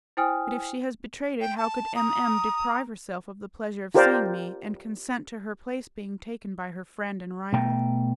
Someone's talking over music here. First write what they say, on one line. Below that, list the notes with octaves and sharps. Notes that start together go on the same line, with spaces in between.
But if she has betrayed it, how could M---- M---- deprive herself of the pleasure of seeing me, and consent to her place being taken by her friend and rival?
E4 C5 G5 G#5 D#6 F6
G5
A5
A#5 D#6
F4 G4 A#4 C5 D5
B2 A3 G5 A#5